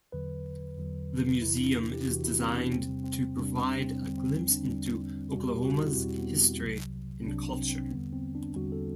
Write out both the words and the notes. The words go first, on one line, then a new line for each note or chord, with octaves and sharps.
The museum is designed to provide a glimpse into Oklahoma's history and culture.
E2 D3 F#3 B4
E2 D3 F#3
E2 C3 E3 E4
D4
G4
E2 C3 E3 F#4
E4
C4
D4
E2 C3 G3 C4
C4
E2 C3 G3 D4
C4
C4
E2 D3 G3 C4
C4
D4
E2 D3 G3
E2 B2 G3 F#4
G4
F#4
E4
E2 B2 G3 C4
B3
C2 C3 F#3
C4
C2 C3 F#3 D4
C4
C4
E2 D3 G3 B3
C4
D4
E2 D3 G3 F#4
A4